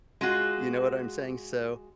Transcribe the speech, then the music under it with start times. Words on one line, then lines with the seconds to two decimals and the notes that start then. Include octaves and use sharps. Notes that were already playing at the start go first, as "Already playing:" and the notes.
You know what I'm saying, so
0.21 G#3 F4 F#4